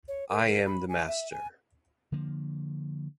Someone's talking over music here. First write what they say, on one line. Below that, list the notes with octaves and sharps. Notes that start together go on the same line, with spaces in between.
I am the Master.
C#5
A#4
A#4
B5
G#5
E5
G#5
D3 F3 A#3